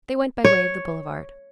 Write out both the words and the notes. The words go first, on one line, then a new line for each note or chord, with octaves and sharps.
They went by way of the boulevard.
C#5